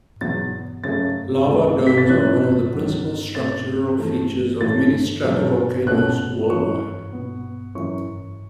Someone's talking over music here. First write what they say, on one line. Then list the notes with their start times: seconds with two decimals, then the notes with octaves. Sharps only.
Lava domes are one of the principal structural features of many stratovolcanoes worldwide.
0.21 E2 B2 F#3 B3 A6
0.84 F#2 C#3 A3 C#4 A6
1.46 C#2 C#3 A3
1.87 B6
1.98 A6
2.09 F#2 E3 C#4 F#6
2.72 C#2 C#3 F#3 B3
3.35 B2 A3 C#4 A6
3.98 E2 E3 A3 C#4
4.61 A2 E3 A3 C#4 A6
5.24 E2 B2 F#3 C#4
5.87 C#2 B2 A3 C#4 F#6
6.49 F#2 E3 C#4 C#6
7.13 B2 B3
7.75 F#2 E3 C#4 C#6